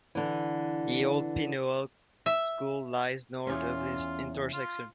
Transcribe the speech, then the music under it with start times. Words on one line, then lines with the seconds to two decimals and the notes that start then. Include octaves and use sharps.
The old Pinoak School lies north of this intersection.
0.15 D3 E3
2.26 E5
3.47 E2 C#4 F4
4.53 F4